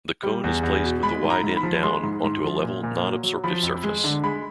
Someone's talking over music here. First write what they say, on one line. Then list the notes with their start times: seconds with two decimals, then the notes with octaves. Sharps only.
The cone is placed with the wide end down onto a level, non-absorptive surface.
0.23 G3
0.44 E2
0.63 E2
0.84 B2
1.03 G#3 B5
1.24 G#2
1.30 A#5
1.44 G#2
1.57 B5
1.63 F3
1.83 G#3 C6
2.03 G#2
2.24 G#2
2.44 F3
2.63 A#2
2.83 A#2
3.03 F#3
3.24 F#3
3.44 F3 B5
3.63 F2
3.84 G#3
4.04 D3
4.24 G#3 B5